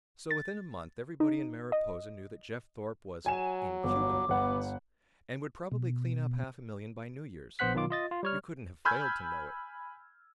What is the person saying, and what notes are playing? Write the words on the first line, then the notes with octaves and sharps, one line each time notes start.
So within a month, everybody in Mariposa knew that Jeff Thorpe was "in Cuban lands" and would probably clean up half a million by New Year's. You couldn't have failed to know it.
A6
D#4
D#5
F#3 G#5 E7
G1 D6
G1 B3 F#5
B2
A#1 B3 C5 F#5 F#6 B6
B2 D#3 F#3 F4 D6
F4 D#5 A6
F4
G3 C#5 F6
G#5 B5 E6 F6 G6 G#6